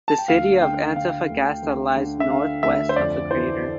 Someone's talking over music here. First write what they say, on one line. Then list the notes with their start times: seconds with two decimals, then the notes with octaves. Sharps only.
The city of Antofagasta lies northwest of the crater.
0.08 A5
0.18 G5
0.28 D2 F5
0.62 D3 G5
0.95 D3 F5
1.30 D2
1.63 D2
1.96 D3
2.20 E5
2.30 D3 F5
2.63 D2 E5
2.89 C5
2.96 F2 D5
3.30 E3 C5